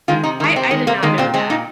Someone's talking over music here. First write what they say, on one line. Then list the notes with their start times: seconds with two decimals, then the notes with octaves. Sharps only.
I I did not know that.
0.08 D#3 G#3 F4
0.24 C3 D#4
0.40 D#3 G#3 D#4
0.56 C3 C4
0.71 D#3 G#3
0.87 C3 A#3
1.03 D#3 G#3 A#3
1.18 A#2 C4
1.34 G#3 C4
1.50 A#2 D#4